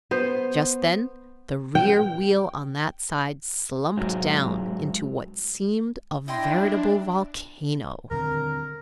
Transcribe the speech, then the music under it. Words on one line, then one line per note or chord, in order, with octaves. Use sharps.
Just then the rear wheel on that side slumped down into what seemed a veritable volcano.
B3 C5
G5
G#2 F#3
D4 E4 D#5 G5 C6
D#1 D3 C4 A#4